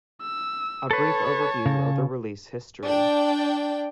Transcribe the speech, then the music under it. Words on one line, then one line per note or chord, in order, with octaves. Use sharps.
A brief overview of the release history.
E6
A4 B4 C#5 A5
C#3
D4 G5